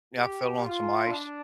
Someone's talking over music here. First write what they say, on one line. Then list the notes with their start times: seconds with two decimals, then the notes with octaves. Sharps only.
I fell on some ice,
0.18 G4
0.62 F4
1.07 D4